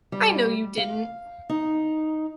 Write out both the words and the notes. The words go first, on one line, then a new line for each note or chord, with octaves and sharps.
I know you didn't.
G3
F5
D#4